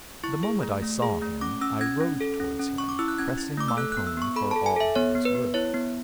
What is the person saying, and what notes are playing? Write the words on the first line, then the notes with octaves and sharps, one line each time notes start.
The moment I saw him, I rode towards him, pressing my pony for all he was worth.
E4 C#6
G#4
A3
A3
G#4
A3
C#4 D6
C#4 E6
C#4 G#6
C#4
A4
C#4
C#4
C#4 C#6
D6
E4 E6
F#6
C#4 G#6
E4
A3 D6
E6
A4 F#6
F#6
B3
E6
B3 C#6
A4 B5
A5
A4
G#5
A4 E5
B3 C#5
B3
B4
B3
E4 C#5
B3